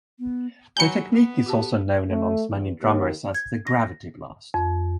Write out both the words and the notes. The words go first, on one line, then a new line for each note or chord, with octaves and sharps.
The technique is also known amongst many drummers as the gravity blast.
B3
F#3 G#5 A#5 B5 G6 C#7
B3
F#4 G4 A5
A3
E2
D#2
G#6
A#6
F2